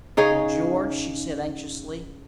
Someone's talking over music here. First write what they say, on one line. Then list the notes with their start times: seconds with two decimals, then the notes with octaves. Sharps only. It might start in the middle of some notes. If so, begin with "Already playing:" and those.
"Well, George?" she said, anxiously.
0.17 C#3 D#4 G#4 C#5